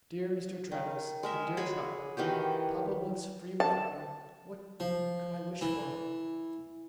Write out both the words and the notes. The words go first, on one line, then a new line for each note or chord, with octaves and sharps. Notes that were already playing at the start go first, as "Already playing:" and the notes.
Dear Mr. Traddles and dear Trotwood, papa once free with honour, what could I wish for!
D#3
G#3 A#4 E5
F#4 G#4 C#5 B5
D#3 E3 F#4 G4
A5
F3
E3